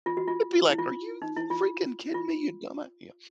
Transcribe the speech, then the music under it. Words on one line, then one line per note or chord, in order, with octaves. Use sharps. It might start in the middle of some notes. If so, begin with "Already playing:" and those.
they'd be like, "Are you f f freaking kidding me, you dumba" You know.
F4
F#4
F4
E4
F4
D#4
E4
F4
F4